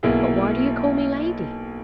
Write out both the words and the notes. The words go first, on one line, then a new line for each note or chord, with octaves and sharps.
But why do you call me 'Lady'?
B1 B2 A#3 E4 G#4